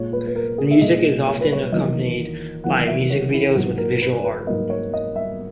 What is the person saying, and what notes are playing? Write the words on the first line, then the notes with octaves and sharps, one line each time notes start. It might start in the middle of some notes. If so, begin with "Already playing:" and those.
The music is often accompanied by music videos with visual art.
Already playing: A#2 G#3 C#5
B4
B4
A#4
G#4
E5
A#2 G#3 D#5
C#5
B4
C#5
E2 D#3 F#3 A#3 D#5
E2 D#3 F#3 A#3 F#5
E5
C#5
E4
G#2 F#3 A#3 F#4
A#4
B4
B4
G#2 F#3 A#3 D#5
C#5
D#5
E5